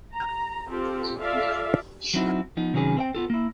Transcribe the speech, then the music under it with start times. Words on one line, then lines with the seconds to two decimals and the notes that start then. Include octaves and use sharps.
Scott initially committed to play college baseball at Arizona.
0.14 A#5
0.68 C4 F4 G4 A4
1.19 F4 A4 D5 E5 F5
2.14 F#3 B3 C4 D#4 E4 F#4
2.57 F3 B3 D#4
2.74 C3 D#3 F#3 C#4 G#4 B4
2.97 C4 E5 G5
3.15 B3 F4 A4
3.30 A#3 E4